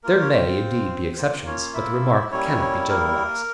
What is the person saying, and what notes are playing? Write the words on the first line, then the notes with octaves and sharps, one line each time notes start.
There may, indeed, be exceptions, but the remark cannot be generalized.
A#3 F4 A#4
C#5
C4 C5
A#3 C4 F4 C5
C#4 C#5
E4 E5
G3 A#3 C#4 E4 C#5
A#3 A#4